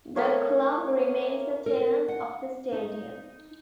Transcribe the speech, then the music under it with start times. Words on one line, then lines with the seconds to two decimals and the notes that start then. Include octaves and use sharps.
The club remains a tenant of the stadium.
0.16 A3 A#3 C#5
1.66 A#4
2.08 F#5
2.72 D#4